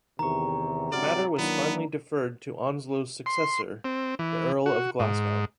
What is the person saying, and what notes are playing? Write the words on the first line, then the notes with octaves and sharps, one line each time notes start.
The matter was finally deferred to Onslow's successor, the Earl of Glasgow.
E2 C3 D#3 A#5 C#6
G#2 C3 F#3 D5 C6 F6
D#3 F#3 A#3 B3 D4 E4
C6
C4
E3
F#4
G#2